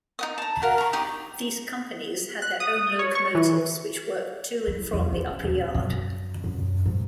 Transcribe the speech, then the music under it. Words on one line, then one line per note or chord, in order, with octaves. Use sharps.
These companies had their own locomotives which worked to and from the upper yard.
D#4 F#4 D#6
A5 A#5
F#4 A#4 F5
A#5 C#6
D#4 G4 D#6
F#6
D#6
C#5
C#6
E3
E4
E2
C#4
D#2
F#2
F#2
G#2